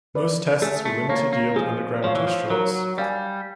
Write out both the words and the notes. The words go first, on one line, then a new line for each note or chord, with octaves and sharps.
Most tests were limited-yield underground test shots.
B4 D5
A3 G#4
A3
A#3 C#5 F5
A#3
F3 G#4
F3 C#5 F5
E3
F3
F#3 A#4
G3 D5 F5 G#5